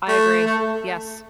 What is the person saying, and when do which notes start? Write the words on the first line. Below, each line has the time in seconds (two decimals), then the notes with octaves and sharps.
I agree. Yes.
0.08 A3
0.46 A3